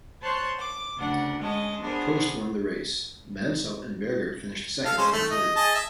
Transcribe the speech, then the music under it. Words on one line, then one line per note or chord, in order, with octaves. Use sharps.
Prost won the race; Mansell and Berger finished second and third.
C5 C#5 A5 C6 F#6
D6
D2 C#3 D4 F#5
G#3 C#4 D#5 A5
B3 D4 G#4 A#4 C5
A4 F5
G#3 C#4 C5
D#3 A3 A4
D#5
G#4 D#5 A5
E5